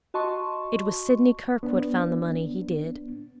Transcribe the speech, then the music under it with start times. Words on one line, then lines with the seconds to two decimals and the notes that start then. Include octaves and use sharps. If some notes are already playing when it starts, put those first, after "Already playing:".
It was Sidney Kirkwood found the money--he did!
0.14 F#4 D#5 A5 C6 C#6
1.63 B3 D4